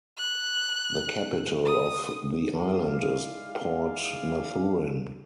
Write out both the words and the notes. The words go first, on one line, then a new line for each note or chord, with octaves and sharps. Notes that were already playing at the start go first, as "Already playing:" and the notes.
The capital of the island is Port Mathurin.
F#6
D#6
G#2 G#3 E4 D5 F5